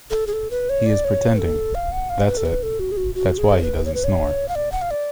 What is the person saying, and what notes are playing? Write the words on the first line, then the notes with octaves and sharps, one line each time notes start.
He is pretending. That’s it. That’s why he doesn’t snore.
A4
G#4
A4
B4
C#5
D5
C#5
A4
F5
F#5
F5
B4
A4
B4
A4
F#4
G#4
F#4
F#4
G#4
C#5
B4
C#5
B4
C#5
F5
D5
F#5
F5
D5